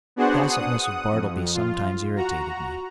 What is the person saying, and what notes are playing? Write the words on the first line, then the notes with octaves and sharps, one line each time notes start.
The passiveness of Bartleby sometimes irritated me.
B3 D4 F#4 G#4 C5 F#5
F#5 D#6
F2
F4
F#4 A#5